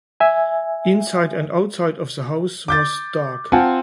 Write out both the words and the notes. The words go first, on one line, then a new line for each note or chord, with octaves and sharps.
Inside and outside of the house was dark.
E5 G#5
D6 G6 A6
C4 F4 F#5 G#5 A5